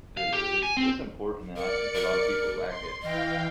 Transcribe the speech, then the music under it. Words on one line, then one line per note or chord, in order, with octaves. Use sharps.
It is. It's important, and I think a lot of people lack it.
F5
G4
G#5
C4
A#4 D5 C#7
A#4
C6
E3 D#5 F5 G5